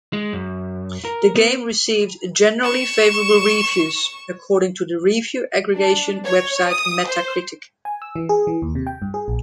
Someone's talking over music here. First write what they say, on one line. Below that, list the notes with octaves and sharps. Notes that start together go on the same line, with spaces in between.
The game received "generally favourable reviews" according to the review aggregation website Metacritic.
G#3
F#2
A#4
B3
C#6 E7
D4
C#5
D#6
C5
G#5
E6
E3
G#4
E3
D#2
C3
G5
G2
G#4
A#1